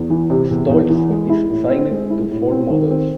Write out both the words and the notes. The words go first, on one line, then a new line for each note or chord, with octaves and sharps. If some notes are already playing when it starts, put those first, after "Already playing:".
Stolz is signed to Ford Models.
Already playing: E2
E3
C3
E2
E2
E3
G#3
E4
A2
C4
G#3
E4
A2
C4
D#3
C4